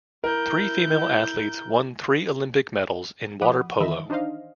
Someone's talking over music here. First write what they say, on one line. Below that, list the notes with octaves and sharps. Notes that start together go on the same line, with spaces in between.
Three female athletes won three Olympic medals in water polo.
E4 A#4 G6
F3 F#5 B5 D6 D#6
D#3 E3 D#4 D#5 E5
D4 D#4 C5 D#5 F5